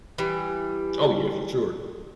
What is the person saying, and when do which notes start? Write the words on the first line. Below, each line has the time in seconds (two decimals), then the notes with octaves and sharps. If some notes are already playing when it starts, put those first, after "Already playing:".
Oh, yeah, for sure.
0.18 E3 G3